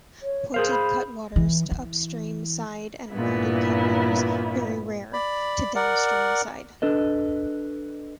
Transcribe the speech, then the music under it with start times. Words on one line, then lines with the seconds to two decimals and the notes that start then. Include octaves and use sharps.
Pointed cutwaters to upstream side and rounded cutwaters, "very rare", to downstream side.
0.23 C#5
0.54 G#4 A#4 C5 F5
0.71 B5
1.36 E3
1.71 E3
3.12 G2 A#2 E3 B3 E4
5.13 D5 B5
5.75 A#4 D5 F#5
6.82 D4 A4 B4 D#5